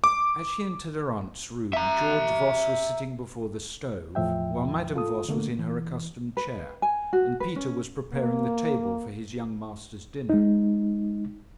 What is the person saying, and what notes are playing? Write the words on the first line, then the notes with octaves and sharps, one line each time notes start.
As she entered her aunt's room George Voss was sitting before the stove, while Madame Voss was in her accustomed chair, and Peter was preparing the table for his young master's dinner.
D6
E5 A#5
E2 A2 F3 E5 G5
F4 A4 D#6
D3 A3 A#3
E3
B4
G#5
F#4
B4
C#4
A#3
G#3 D#4